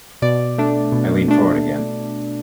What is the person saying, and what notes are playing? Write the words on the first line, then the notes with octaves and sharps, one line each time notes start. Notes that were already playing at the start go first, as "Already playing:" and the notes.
I leaned forward again.
B2 D5
A3 D4
B2
A3 D4